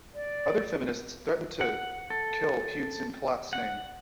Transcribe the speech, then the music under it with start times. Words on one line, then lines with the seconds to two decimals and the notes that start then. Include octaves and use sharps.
Other feminists threatened to kill Hughes in Plath's name.
0.15 D5
1.61 F#5
2.10 A4
3.53 F#5